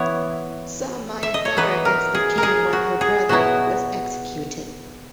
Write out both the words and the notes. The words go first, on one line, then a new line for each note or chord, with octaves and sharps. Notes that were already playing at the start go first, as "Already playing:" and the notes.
Saw Mya Thar against the king when her brother was executed.
Already playing: E3 B3 E4 C#5
E5
D#5
C#5
E3 B3 D#4 B4
A#4
G#4
A#4
G#4
F#4
G#4
B2 F#3 B3 E4 F#4